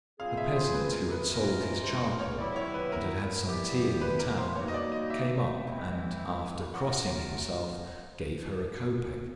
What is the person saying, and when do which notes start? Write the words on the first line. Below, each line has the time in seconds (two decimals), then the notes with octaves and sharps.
A peasant, who had sold his charcoal, and had had some tea in the town, came up, and, after crossing himself, gave her a copeck.
0.19 A#2 G3 C4 F4 G#4 F5
0.37 E5
0.56 C5
0.74 B4
0.92 A#4
1.11 B4
1.28 E3 G#3 C#4 F4 A#4
1.83 C5
2.01 C5
2.20 C#5
2.38 C3 D#3 F#3 B3 E4 D5
2.56 C#5
2.74 B4
2.92 A#4
3.46 E3 G3 B3 E4 G4
4.01 B4
4.19 A#4
4.38 C5
4.56 G3 A#3 D#4 F#4 C#5
4.68 D#5
4.74 D5
4.92 D#5
5.10 E5
5.65 E3 G#3 C4 E4
6.74 F#3 A3 D4 F4 A#4 F#5